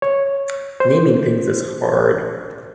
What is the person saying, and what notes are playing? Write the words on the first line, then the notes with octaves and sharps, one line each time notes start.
Naming things is hard.
C#5
C5